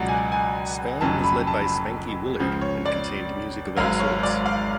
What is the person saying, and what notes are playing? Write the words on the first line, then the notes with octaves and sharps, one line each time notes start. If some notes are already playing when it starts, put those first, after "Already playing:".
Spam was led by Spanky Willard and contained music of all sorts.
Already playing: C#2 B2 F#3 D5 F#5
G#5
G#5
F1 F2 C#3 F#3 A5
B5
A5
C#2 C#3 F3
C#5
D5
G#1 G#2 F#3 F5
C#5
D5
F5